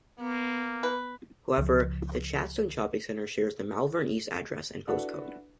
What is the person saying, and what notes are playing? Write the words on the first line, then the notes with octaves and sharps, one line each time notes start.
However, the Chadstone Shopping Centre shares the 'Malvern East' address and postcode.
A#3 B3
B4
C#2 F3
D4 E4 F#4 A4 B4